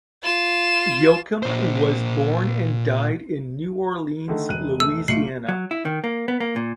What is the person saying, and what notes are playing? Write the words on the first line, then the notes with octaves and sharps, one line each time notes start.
Yochim was born and died in New Orleans, Louisiana.
F4 E7
A#2 C5
D3 D#3 A3
E1 F#6 D#7
A3 E6
B1 A3 F4 C7 C#7 F#7
F#3
E4
D#3
A#3
B3
A#3
A#2